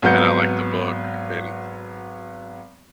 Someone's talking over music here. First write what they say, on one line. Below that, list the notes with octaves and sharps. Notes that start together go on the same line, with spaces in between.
and I liked the book and
G#1 F#3 B3 G6 C#7